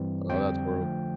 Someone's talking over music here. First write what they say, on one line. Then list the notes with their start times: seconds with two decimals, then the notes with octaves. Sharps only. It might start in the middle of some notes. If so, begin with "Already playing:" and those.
Oh, that's brutal.
Already playing: G2 E3 G3 C4
0.30 F2 D3 G3 C4 G5
0.80 D3 F3 A3